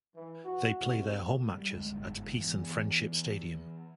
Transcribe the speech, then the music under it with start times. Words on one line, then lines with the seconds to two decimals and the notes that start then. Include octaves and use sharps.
They play their home matches at Peace and Friendship Stadium.
0.16 E3
0.45 F#4
0.83 C2
1.54 G3
1.74 D2 G#3
1.91 G1 G#2
2.41 E3 B3